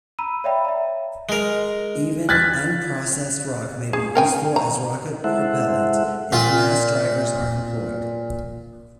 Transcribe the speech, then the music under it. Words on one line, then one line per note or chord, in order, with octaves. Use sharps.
Even unprocessed rock may be useful as rocket propellant if mass drivers are employed.
A#5 B5 E6 D#7
C#5 D5 E5 F5 G5 B5
E5 A#5
G#3 A#4
F#6 G#6 A6 B6
G#4
A#4 G5 G#5
A#5
G#3 E4 A4 C5 E5 F#5
A#2 F4